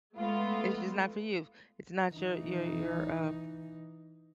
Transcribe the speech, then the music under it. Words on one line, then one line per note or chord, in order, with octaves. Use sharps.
It's just not for you. It's not your your your, uh
G#3 A3 B3 F4
E3 D#4